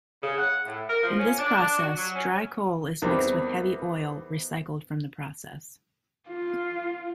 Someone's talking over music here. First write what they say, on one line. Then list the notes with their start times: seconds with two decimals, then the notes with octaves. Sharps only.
In this process, dry coal is mixed with heavy oil recycled from the process.
0.22 C#3
0.38 F#5
0.66 A2
0.89 A#4
1.03 F3
1.19 C#4
1.39 D4
1.57 D4
1.79 F#4
1.98 F#3
2.15 C#4
3.02 E2 D#3 G3 B3 C4
6.29 F4